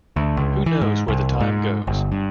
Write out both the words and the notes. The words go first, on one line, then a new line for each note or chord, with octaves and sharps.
Who Knows Where the Time Goes?
D2
C#2
E3
G#2
C2
G#2
G1
G2